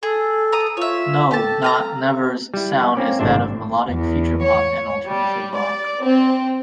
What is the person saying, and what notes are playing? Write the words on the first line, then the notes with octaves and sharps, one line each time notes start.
No.not.never's sound is that of melodic futurepop and alternative rock.
G#4 A4
A#5 D#6
F4 C#5 E5
G4 A4 A5
F5 G#5 A#5
G3 E4
A#3 C4 C#4 D5
G#1 A2 C3 D4 C5 E5
E2
C#5
G3
D5
C4